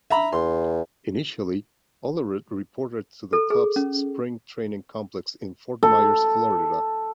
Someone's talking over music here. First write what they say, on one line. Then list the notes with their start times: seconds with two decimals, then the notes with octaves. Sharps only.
Initially, Olerud reported to the club's spring training complex in Fort Myers, Florida.
0.10 E5 A#5 B5
0.33 E2 C6
3.33 A4
3.50 G#4
3.76 C#4
5.83 A4